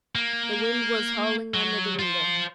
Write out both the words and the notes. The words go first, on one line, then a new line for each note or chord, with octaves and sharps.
The wind was howling under the window.
A#3
F#3
F4 C5